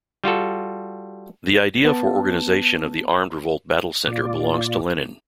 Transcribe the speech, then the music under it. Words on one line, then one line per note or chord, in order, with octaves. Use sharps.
The idea for organization of the armed revolt battle center belongs to Lenin.
G3 F4 F#4 A4
B3 A5
A#2 F4 D5